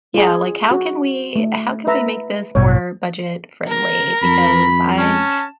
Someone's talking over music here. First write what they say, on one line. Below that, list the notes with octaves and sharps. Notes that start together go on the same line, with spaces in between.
Yeah, like, "How can we how can we make this more budget-friendly, because I
F4 G#4
F#4
A3
B4 E5 A#5
A1 G2 B2 C#5
A#4
F2 B5
C#4 A5